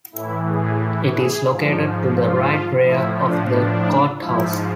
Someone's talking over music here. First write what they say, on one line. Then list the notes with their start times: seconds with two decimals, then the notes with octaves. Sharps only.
It is located to the right rear of the courthouse.
0.12 A2 E3 E4
0.47 G#4
0.80 E4
1.14 G#4
1.48 G#2 F3
2.16 F4
2.83 A2 F3 E4
3.16 D4
3.51 D4
4.18 G#2 F3 E4